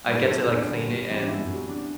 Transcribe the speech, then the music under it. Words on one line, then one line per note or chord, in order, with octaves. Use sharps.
I get to, like, clean it and,
G2 B4
A4
F#3
C4
E2 D4
D3 G3
G2
E3 G3 C4
D4
E2 E4
C3 F#3
E2 D4